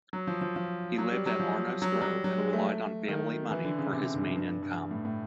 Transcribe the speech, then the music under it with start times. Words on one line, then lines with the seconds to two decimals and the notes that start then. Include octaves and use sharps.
He lived at Arnos Grove and relied on family money for his main income.
0.13 F#3
0.27 F3
0.41 F3
0.56 F3
0.98 F#3
1.12 G3
1.26 F#3
1.40 F3
1.82 F#3
1.92 G3
2.01 F#3
2.24 F#3
2.38 G#3
2.53 A3
3.08 D#3
3.51 E3
3.64 D3
3.78 C#3
3.93 C3
4.14 G2
4.36 G2
4.49 G2
4.63 G2
4.91 A2
5.05 A2